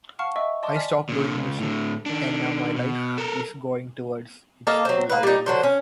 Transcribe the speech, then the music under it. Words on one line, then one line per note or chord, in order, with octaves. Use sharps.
I stopped doing music, and now my life is going towards its full awareness.
F5 F#5 A5 C#6 F6
D#5 E5 C#6 E6
D5 D#5 A5 C6 D6
D5 G#5 F6 B6
A#2 D3
C#2 C#3
A2 D3
D#3 D4
B2
A4 A#4
A#3 A4 D#5 F5
F#3 C4
A#3 B4
G3 D#4
D3 F#3 C5
C#4